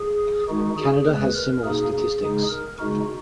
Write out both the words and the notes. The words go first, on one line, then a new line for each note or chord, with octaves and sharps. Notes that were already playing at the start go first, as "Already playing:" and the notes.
Canada has similar statistics.
Already playing: G#4
D#3 G#3 D#4 F#4
G#4
D#2 C#3 G#3 B4
A#4
B2 A#3 D#4 G#4
C#3 G#3 D#4
A#4
C#3 G#3 D#4 F#4